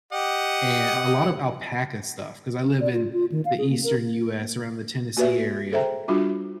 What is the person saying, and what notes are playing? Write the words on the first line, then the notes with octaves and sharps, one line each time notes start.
And a lot of alpaca stuff 'cause I live in the Eastern US around the Tennessee area.
G4 D#5 F#5
C#4
D5
F4
F4
D#3
F5
G#4
A#3
A#4
A#3 F#4 G4 B4 D5 E5
G#4 A4 C5 E5 G5 A#5
G3 D4 F4 F#4